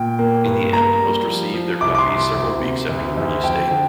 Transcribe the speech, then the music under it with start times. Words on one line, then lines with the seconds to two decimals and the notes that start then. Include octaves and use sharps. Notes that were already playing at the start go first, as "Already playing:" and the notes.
In the end, most received their copies several weeks after the release date.
Already playing: A#2 G5
0.19 A#3
0.45 G2
0.72 A#3 A#5
1.00 G3
1.27 F3
1.54 F3
1.81 C2 D6
1.95 D6
1.99 C6
2.09 C2
2.35 D2
2.62 C3
2.89 D2
3.17 D2
3.43 F2 G5
3.71 D3